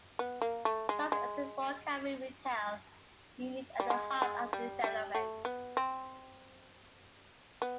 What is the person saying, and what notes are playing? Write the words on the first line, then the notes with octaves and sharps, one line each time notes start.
Plans exist for a cafe retail unit at the heart of the development.
B3
A#3
A3
G#3
G#3
G3
G#3
G#3
G3
G3
A3
B3
C4
B3